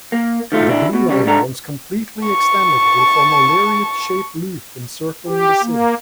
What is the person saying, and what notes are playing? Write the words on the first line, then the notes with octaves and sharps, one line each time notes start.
The Blue line, once completely extended, will form a lariat-shaped loop encircling the city.
A#3
D#3 A3 F4
E3 D4 E4
B2
C#3 G3
C2 G#2 D4 A4 A#5
A5 C#6
G4
A#3